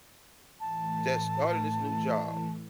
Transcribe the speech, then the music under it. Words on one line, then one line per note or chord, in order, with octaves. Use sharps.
that's starting this new job
A2 E3 A3 A5